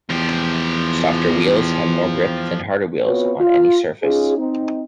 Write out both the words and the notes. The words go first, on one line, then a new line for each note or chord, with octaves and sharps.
Softer wheels have more grip than harder wheels on any surface.
E2 F3 G4
B3 C4 F4 F#4 B4 C#5
F4
C#4 D#4 F4 G#4
C4 D#4